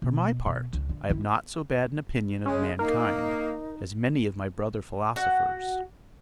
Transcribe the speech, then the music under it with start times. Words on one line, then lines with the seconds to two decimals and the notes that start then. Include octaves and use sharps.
For my part, I have not so bad an opinion of mankind as many of my brother philosophers.
0.02 B2
0.46 B2
0.73 C#2
0.89 D3
1.09 D#3 E4
2.46 C#3 G#3 C#4
2.79 A#3 D#4 A#4
5.16 F#4 F#5